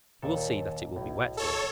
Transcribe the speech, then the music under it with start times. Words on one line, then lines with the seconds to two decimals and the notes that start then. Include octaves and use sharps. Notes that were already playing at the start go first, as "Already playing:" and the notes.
You will see that it will be wet here!
0.22 D#2 A#2 A4
0.96 B1 A2
1.37 A4 C#5